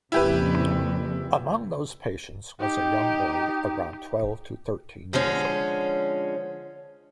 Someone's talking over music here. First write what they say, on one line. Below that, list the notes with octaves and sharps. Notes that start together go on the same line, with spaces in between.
Among those patients was a young boy around twelve to thirteen years-old.
F2 A#2 C#3 E4 G4 B4
D#4 G4
D3 F3 G#3 C#4